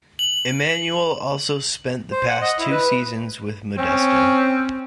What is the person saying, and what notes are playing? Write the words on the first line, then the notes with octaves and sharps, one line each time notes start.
Emanuel also spent the past two seasons with Modesto.
F#7
C5
F#5
D#5
E4
B4
C4 C#4